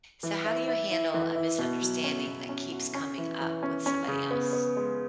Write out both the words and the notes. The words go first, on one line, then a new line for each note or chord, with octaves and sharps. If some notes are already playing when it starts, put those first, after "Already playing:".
So how do you handle a misunderstanding that keeps coming up with somebody else?
E3
E4
E4
E4
E3
E4
B2
F#3
C#4
B2
C#4
F#4
C#4
E3
E3
C#4
C#4
C#3
B3
B3
G#3